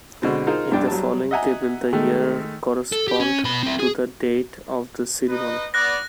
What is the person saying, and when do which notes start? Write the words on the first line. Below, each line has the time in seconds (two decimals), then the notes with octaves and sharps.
In the following table, the years correspond to the date of the ceremony.
0.22 B2 D3 G#3 C4
0.47 D#4 F4 G#4 A#4 C5
0.71 A#1 G2 D4 G5
0.88 F#3 G3 A5
1.31 D#5 E5 F#5 G#5 A#5
1.93 D#3 G#3 A3
2.92 A4
3.08 G4
3.20 C#4
3.44 B2 B5
3.63 C4 E4
3.79 G#4
5.29 D#4 B4 D#5
5.74 B3 D5 F#6 A#6